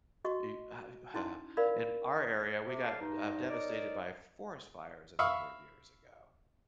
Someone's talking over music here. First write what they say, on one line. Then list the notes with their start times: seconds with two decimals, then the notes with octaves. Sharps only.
you uh e uh In our area, we got, uh, devastated by f forest fires a number of years ago.
0.25 F#4 D#5 C#6
1.14 C#4 D#4 E4 C6
1.57 A#4 C5 D5 F5 B5
2.67 C3
2.84 D4 A4 C#5 D5 F5 A5
3.01 G2 D#4
3.50 D#4 A#4 C#5 D5
5.19 E5 F5 B5 C#6 D#6 F6